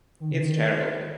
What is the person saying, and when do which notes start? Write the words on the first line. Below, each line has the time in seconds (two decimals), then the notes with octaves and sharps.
It's terrible.
0.20 D#3
0.31 C#3
0.40 D#3